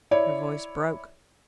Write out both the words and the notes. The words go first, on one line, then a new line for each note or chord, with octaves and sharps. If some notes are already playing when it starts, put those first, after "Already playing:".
Her voice broke.
E4 C#5 D5